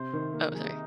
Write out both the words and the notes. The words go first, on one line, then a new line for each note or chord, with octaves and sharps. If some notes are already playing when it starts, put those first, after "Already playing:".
oh, sorry.
Already playing: C3 C5
D#3
A#3
D#4 G#4